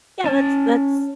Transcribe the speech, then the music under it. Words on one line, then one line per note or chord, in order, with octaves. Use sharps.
yeah, that's that's
C#4 A5